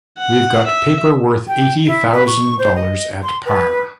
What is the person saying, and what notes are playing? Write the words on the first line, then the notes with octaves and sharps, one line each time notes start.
We've got paper worth eighty thousand dollars at par.
F#5
E5
G5
E4
B4
C#6
C5
D#5
C6
B4